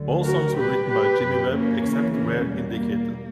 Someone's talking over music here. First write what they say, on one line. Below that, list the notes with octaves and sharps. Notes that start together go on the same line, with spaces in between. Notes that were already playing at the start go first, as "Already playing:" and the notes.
All songs were written by Jimmy Webb, except where indicated.
Already playing: D2 D3 F#3
F#4 A#4
A#2 G3 G4 B4
G4 B4
F#2 C#3 F#3
A#3 C#4
E2 C#3 E3
A#3 C#4
E2 B2 G3 A#3